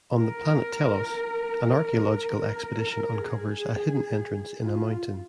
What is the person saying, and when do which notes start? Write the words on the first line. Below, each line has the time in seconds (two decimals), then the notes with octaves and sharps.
On the planet Telos, an archaeological expedition uncovers a hidden entrance in a mountain.
0.18 A#4
2.40 A#4
2.77 A#4
3.15 G#4
4.62 F4